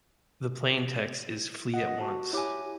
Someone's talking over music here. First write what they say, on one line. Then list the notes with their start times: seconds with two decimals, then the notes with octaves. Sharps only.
The plaintext is "Flee at once".
1.74 D#5 F#5
2.01 F#4 A5
2.33 E4 G4 C#5 G#5 D6